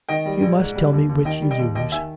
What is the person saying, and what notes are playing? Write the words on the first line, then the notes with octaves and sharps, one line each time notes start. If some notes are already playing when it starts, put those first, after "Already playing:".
'You must tell me which you use.'
D#3 D#5 G5
G3
A#1
G#2
G3
D#2
D#2
D#3 D#5 G5
G3
D#5 G5
D#2
D#2 D#5 G5
D#3 E5 G#5